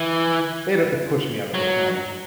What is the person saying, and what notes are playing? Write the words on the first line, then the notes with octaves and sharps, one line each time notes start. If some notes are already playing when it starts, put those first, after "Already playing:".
They'd have to push me out of the plane.
Already playing: E3
F#3